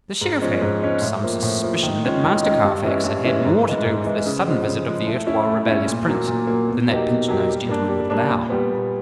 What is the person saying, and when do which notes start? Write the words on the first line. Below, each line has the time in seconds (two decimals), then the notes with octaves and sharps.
The Sheriff had some suspicion that Master Carfax had had more to do with this sudden visit of the erstwhile rebellious Prince than that pinch-nosed gentleman would allow.
0.21 G#2
0.42 F3 G#3 C#4
0.62 G#2
0.81 F3 G#3 C#4
1.02 A2
1.22 F3 A#3
1.43 A2
1.62 F3 A#3
1.83 D#3
2.04 G#3 C#4 F4
2.24 D#3
2.43 G#3 C#4 F4
2.64 G2
2.83 E3 G#3 C#4 E4
3.04 G2
3.24 E3 G#3 C#4 E4
3.45 G#2
3.65 E3 G#3
3.85 G#2
4.05 E3 G#3
4.26 C#3
4.46 F3 G#3
4.65 C#3
4.86 F3 G#3
5.06 A3
5.27 C#4 E4
5.47 A3
5.67 C#4 E4
5.87 A#2
6.07 F#3 A#3
6.27 A#2
6.47 F#3 A#3
6.68 B2
6.88 F#3 A#3 D#4 G4
7.08 B2
7.28 F#3 A#3 D#4 G4
7.49 G3
7.69 A#3 D4
7.89 G3
8.10 A#3 D4
8.29 A#2
8.50 G3 B3
8.71 A#2